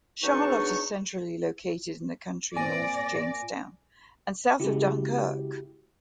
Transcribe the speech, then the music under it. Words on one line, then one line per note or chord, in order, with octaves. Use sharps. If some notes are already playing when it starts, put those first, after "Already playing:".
Charlotte is centrally located in the county, north of Jamestown and south of Dunkirk.
E2 F#3 D4 D#4 G#4 C#6
A#2 C4 D5 G#5 A#6
C#3 G#3 E4 F#4 G4